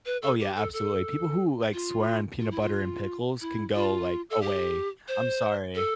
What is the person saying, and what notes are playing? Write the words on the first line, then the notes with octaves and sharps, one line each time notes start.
Oh, yeah. Absolutely. People who, like, swear on peanut butter and pickles can go, like, away. I'm sorry.
B4
A4
G4
A4
A4
F4
F4
E4
F4
E4
F4
A4
G4
C5
A4